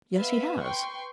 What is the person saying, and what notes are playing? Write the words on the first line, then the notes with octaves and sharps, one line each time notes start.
"Yes, he has."
B3 B4 E5 F5
B4 G5 C6 C#6